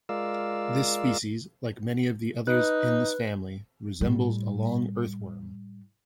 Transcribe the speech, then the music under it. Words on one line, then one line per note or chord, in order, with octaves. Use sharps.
This species, like many of the others in this family, resembles a long earthworm.
G#3 F4 A#4 D5 F5 E6
D#4 B4 F#6
A2 G3